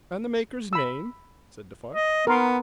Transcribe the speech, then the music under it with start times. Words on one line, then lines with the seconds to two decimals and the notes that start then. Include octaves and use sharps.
"And the maker's name?" said Defarge.
0.73 B5 E6
1.93 D#5
2.27 B3 A#4 C6